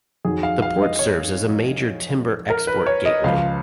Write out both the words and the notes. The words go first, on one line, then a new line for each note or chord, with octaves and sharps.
The port serves as a major timber export gateway.
F2 D#3 F#3 G#4
F5
F5
D#5
C#5
A#4
B4
C#5
D#5
C#2 C#3 F3 F5